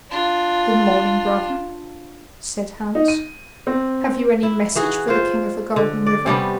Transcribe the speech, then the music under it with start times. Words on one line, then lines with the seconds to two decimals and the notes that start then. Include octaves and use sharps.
"Good morning, brother," said Hans; "have you any message for the King of the Golden River?"
0.10 D4 F4
2.95 D#4
3.08 D#7
3.67 C4
4.43 E4
4.75 E3 F#4 G#4
5.08 F4 C5
5.76 D3
6.06 D5
6.26 C3 G3 B3 C#4